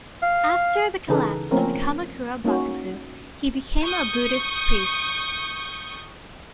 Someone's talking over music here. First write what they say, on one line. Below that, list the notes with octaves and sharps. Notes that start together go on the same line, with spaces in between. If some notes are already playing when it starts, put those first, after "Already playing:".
After the collapse of the Kamakura bakufu, he became a Buddhist priest.
F5
C#3 E3 D#4 G#4 A4 B4
F3 A3 A#3 C4 C#4 A#4
A#3 C#4 D#4 F#4
C#6 D#6 G6